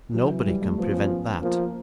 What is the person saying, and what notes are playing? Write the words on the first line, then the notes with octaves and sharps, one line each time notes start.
Nobody can prevent that.'
E3 F#3
G3
A3
F3 B3
C#4
F3 A#3